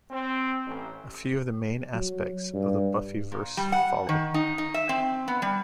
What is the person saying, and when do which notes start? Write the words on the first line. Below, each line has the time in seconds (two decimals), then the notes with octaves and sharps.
A few of the main aspects of the Buffyverse follow.
0.11 C4
0.66 A1
1.94 F#3
2.54 G2
3.32 A#2
3.57 G3
3.72 F#5
4.09 D#3
4.34 D#4
4.58 D#4
4.74 E5
4.89 C4
5.28 B3
5.42 G3